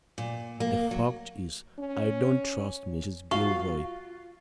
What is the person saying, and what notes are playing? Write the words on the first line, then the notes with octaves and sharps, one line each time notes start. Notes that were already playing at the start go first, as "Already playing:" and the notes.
The fact is, I don't trust Mrs. Gilroy.
A#2
A#3
F#3
C#4
F4 F#4 F5 C#6